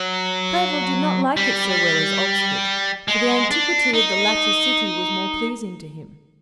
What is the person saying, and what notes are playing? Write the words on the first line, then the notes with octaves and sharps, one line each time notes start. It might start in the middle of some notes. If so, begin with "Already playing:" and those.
Clerval did not like it so well as Oxford, for the antiquity of the latter city was more pleasing to him.
Already playing: F#3
G3
G#3
D4
D#4